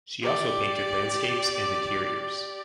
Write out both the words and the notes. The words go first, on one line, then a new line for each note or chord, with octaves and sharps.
She also painted landscapes and interiors.
G4 D5